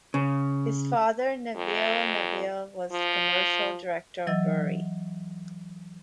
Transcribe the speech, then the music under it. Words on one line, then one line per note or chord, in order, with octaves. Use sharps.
His father, Neville Neville, was commercial director of Bury.
C#3
F2
F3
E3 F#3 D#5 E6 A6